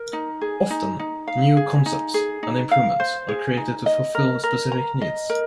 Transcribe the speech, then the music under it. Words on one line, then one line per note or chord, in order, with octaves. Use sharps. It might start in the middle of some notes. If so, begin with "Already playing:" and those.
Often, new concepts and improvements are created to fulfill specific needs.
Already playing: A#4
D#4
G#4
D#4
D#4
F5
G#4
D#4
G#4
D#4
F5
C5
G#4
D#4
D#5
A#4
A#4
A#5
D#5
A#4